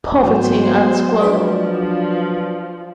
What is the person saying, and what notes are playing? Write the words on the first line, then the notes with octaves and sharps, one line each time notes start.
Poverty and squalor.
G#2 E3 F#3 B3 C5
F3 D4 B4 D5